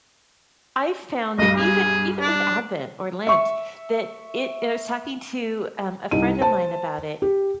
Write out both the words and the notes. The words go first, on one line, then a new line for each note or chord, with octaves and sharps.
I found that even even with Advent or Lent that it and I was talking to, um, a friend of mine about it,
B1 G2 D#5
G#4
D4
E5 C#6
C2 D#4 D#7
C5 A5
G4